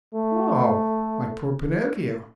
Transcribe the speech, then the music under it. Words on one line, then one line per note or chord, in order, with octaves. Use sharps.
"Oh, my poor Pinocchio!"
A3